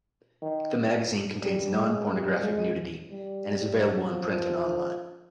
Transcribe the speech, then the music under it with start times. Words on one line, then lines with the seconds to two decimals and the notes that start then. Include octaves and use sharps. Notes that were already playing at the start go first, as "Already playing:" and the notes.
The magazine contains non-pornographic nudity, and is available in print and on-line.
0.42 D#3
1.43 G3
1.77 G#3
2.10 G3
2.43 G#3
3.11 G3
4.12 F3